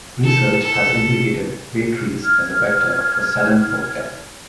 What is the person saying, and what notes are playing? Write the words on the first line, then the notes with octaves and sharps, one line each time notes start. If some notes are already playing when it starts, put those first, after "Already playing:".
Research has implicated bay trees as a vector for sudden oak death.
A4
A4
F6 G#6